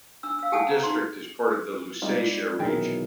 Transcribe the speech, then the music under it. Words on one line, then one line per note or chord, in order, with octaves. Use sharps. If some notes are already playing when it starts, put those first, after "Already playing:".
The district is part of the Lusatia region.
D4 E6
F5 E6
G4 F5 F#5 G#5 A5 D#6
C5 A#5
D#4 C5 C6
G3 G#3 C4 D#4 F4
B1 A#2 D#3 E3 G#4 A#4 G5